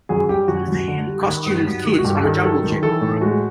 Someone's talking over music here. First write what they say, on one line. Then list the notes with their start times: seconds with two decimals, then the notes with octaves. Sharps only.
Costumed kids on a jungle gym.
0.09 F#2 G#4
0.29 G3 G4
0.48 F#2 F#4
0.68 F#2
0.88 D3
1.07 G3
1.26 D#3
1.46 G2
1.65 F#3
1.84 D#3
1.99 F#4
2.04 G2 G4
2.24 D#3 A4
2.43 F#3 A4
2.63 D#3
2.82 E3 A4
3.01 A2
3.21 G#3 F#4